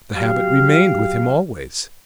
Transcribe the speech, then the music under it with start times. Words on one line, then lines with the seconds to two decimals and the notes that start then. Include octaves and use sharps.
The habit remained with him always.
0.14 F#3 G4 F5